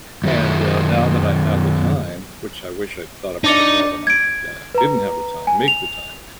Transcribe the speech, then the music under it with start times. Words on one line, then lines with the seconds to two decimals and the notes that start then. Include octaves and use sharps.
and, uh, now that I have the time, which I wish I thought about it more when I, uh, didn't have the time, make the time,
0.24 F#2 D#3 A#4 E5
3.44 D4 D#4 D5 C#7
4.07 G#6 D7
4.74 B4 A#5
5.47 G#5
5.68 F7